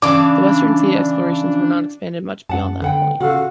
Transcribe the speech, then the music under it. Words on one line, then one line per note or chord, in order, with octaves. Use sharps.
The western sea explorations were not expanded much beyond that point.
C#3 E3 D4 D6
F#2 F#5 A5
D3 B4 F#5 G5
C#3 F4 F#4 A4 F5